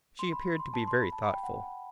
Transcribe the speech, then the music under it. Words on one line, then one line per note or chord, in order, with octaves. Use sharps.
She appeared to be very thoughtful.
C6
B5
B5
C6
A5
C6
B5
A5
B5
G5
F#5